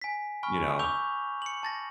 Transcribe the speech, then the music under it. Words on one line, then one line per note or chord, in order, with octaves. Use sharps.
you know,
G#5 B6
G#5 B5 C#6 F6
C#6 D6 E6 G6 F7 G7
C#7 F#7
A5 A6 A#6